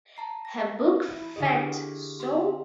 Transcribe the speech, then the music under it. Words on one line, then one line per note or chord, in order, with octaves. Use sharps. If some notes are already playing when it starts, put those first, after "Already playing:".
Her book Fat!So?
A5 A#5 C7
A#6
E4
D3 E4 G4 G#4 D#5 F5
C4 G4 C6